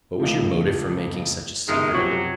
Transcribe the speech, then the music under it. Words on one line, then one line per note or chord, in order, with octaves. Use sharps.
What was your motive for making such a secret of it?
C#2 A2 F3
G1 D#3 G#3 E5
F#2 C3 F3 F#3 F#4